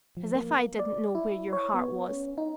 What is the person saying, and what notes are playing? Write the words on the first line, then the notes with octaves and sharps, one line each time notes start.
As if I didn't know where your heart was.
F3
A#3
D5
E4
C#5
B3
C#4
D#4